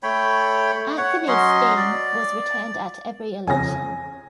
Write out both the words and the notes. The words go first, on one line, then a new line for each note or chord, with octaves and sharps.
Anthony Steen was returned at every election.
A3 C#5 G5 B5
C#5 F#5
F#3 C#4 D#5 C6
D5
F2 C#3 G#5 A#6